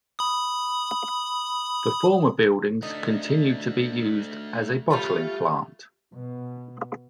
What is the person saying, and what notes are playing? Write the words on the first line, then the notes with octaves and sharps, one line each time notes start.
The former buildings continued to be used as a bottling plant.
B5 D#6
A3 D4 D#4
G3 A3 C#4 F4
B2